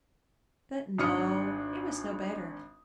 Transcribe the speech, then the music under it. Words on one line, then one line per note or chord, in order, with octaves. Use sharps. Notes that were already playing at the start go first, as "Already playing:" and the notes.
But no; it was no better.
G#1 D4 D#6 F6 C#7